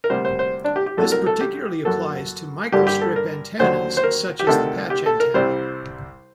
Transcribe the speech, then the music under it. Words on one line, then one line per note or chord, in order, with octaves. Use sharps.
This particularly applies to microstrip antennas such as the patch antenna.
A#4
D2 C3 G3 A#3 C5
C5
C5
D4
G4
G4
C2 C3 F#3 A3 A4
A#4
A4
G4
F#2 F#3 A#3 A4
G2 D3 G3 A#3 G4
G4
A4
A#4
D#2 D3 F#3 C5
C5
A#4
G4
D2 C3 D#3 A4
G4
A4
A#4
C2 C3 G3 C5